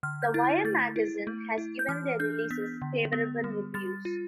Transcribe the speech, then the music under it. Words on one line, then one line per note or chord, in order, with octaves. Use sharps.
"The Wire" magazine has given their releases favourable reviews.
D3 F6
G6
E4 A6
A3 A6
E4
A3
E4
G6
E3 F6
D4 G6
B3 B6
D3
B3
G3
G3 A6
F4